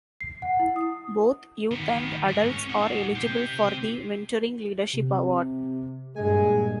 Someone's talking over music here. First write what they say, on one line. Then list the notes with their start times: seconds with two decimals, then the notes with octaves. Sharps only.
Both youth and adults are eligible for the Venturing Leadership Award.
0.21 C7
0.42 F#5
0.60 E4
0.76 D#6
1.71 D#3 B3
2.29 G#3 A#4
2.49 C#4 C#5
2.70 D#4 F#5
3.15 G4 C5
4.93 C3
6.16 G2 A#2 G#3 G#5